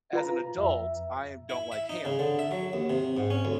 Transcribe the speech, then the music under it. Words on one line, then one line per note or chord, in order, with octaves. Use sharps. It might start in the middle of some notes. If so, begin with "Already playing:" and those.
as an adult, I don't like ham,
F4 B4 A#5
F2 E5
E4
E5
D#4
C#3
D3
E5
F#3
D#2
C3
G#2
C#4
D2